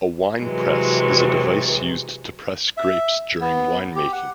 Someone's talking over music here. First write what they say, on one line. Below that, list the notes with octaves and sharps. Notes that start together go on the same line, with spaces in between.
A wine press is a device used to press grapes during wine making.
C3 E3 F#3 G#3
E5
B3
G4
F#5